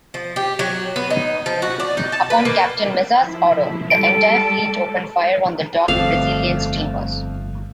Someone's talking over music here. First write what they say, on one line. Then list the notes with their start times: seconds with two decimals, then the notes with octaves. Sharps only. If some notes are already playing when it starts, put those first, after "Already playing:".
Upon Captain Meza's order, the entire fleet opened fire on the docked Brazilian steamers.
0.14 F3
0.36 G4
0.59 F#3
0.96 B3
1.10 D#4
1.46 F3
1.62 F#4
1.80 D5
1.97 D#4
2.12 A5
2.30 B4
2.45 A#3
3.22 F3 E4
3.90 G3 G#3 A4 D7
5.88 G1 F2 A3 D5 F5